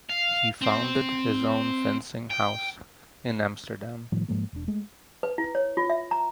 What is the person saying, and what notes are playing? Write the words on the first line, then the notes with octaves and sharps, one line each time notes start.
He founded his own fencing house in Amsterdam.
F5
C4
G5
A2 D#3 F3 G3
G#2 F3 G#3 A#3
E1 D4
G#3 A3
B4
E4
C#5
F4
E5
A#5